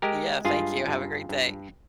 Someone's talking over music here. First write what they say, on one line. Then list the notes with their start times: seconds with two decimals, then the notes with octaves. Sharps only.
Yeah, thank you, have a great day.
0.02 G#3 G4 A#4
0.45 G2 F4 G#4
0.88 G2
1.29 G2